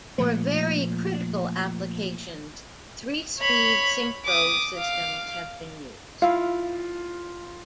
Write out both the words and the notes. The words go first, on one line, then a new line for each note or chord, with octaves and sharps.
For very critical applications, three-speed synchro systems have been used.
A#2 F3 A3
C#5 B5
D6 D#6
F5 D6
E4 F4 F5